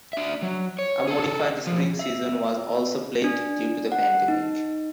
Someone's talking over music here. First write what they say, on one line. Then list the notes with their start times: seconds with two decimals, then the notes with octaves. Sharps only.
A modified spring season was also played due to the pandemic.
0.13 D4 E5
0.42 F#3
0.79 C#5
1.07 G#4 A4
1.67 B1 F3
1.99 E5
3.24 D4
3.92 F#5
4.28 D#4